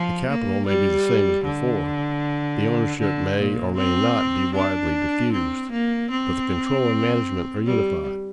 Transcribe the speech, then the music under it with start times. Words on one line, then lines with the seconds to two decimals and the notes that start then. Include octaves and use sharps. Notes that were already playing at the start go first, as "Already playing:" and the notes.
The capital may be the same as before, the ownership may or may not be widely diffused, but the control and management are unified.
Already playing: F3
0.28 A#3
0.67 G3
1.44 D3
3.00 D3
3.39 A#2
3.77 C4
4.55 D4
5.33 C4
5.72 A#3
6.11 C4
7.66 G3